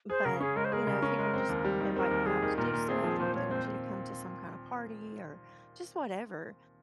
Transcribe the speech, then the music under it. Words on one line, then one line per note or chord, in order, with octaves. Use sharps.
But, you know, if people are just like, inviting you out to do stuff or if they want you to come to some kind of party or just whatever,
G#4 C5
C#3 A#4
C#4 G#4
G#3 A#4
C5
G#4 A#4
C#3
C#4
G#3
C4
D#2
G3
D#3
C4 A#4
D#2
G3 G#4
D#3
A#2 A#4
A#2
C4 G#4
F3
A#2 C5
A#2 C#5
C4 C5